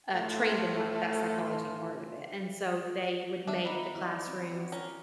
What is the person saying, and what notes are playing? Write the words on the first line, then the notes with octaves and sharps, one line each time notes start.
uh, trained in, like, that psychology part of it and so they would make the classrooms,
A2 A3 F4
D#3 B3 D4 E5
D#4 B5
E4 F#4 D5
C4
F#4
C#4 A#4